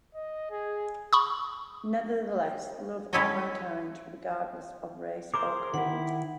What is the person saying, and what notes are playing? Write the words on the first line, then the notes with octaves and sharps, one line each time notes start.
Nevertheless, love all mankind regardless of race or creed.
D#5
G#4
B5 C#6 D#6
G3 C#4 E4 A4 C#5 D#5
G#4 A#4 C5 D6
D#3 E4 F#5